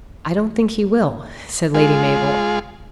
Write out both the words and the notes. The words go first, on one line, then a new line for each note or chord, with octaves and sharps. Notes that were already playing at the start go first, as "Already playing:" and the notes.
"I don't think he will," said Lady Mabel.
G#3 F4 G#4